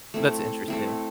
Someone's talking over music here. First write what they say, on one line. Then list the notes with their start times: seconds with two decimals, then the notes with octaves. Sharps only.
That's interesting.
0.14 A3 C4 E4
0.68 A3 C4 E4